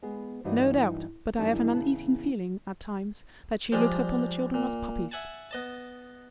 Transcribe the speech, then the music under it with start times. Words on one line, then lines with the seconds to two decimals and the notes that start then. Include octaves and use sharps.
"No doubt, but I have an uneasy feeling at times that she looks upon the children as puppies."
0.03 G#3 B3 G#4
0.44 G2 E3 D#4 F#4 A#4 D5
1.38 F#2 D#3 E3 G3 D4 D#4
1.75 E2 G#2 C#3 A5
3.72 F3 G3 G#3 D4
4.54 A#2
5.11 E5 F#5 G#5 A5
5.51 B3 D#5 A5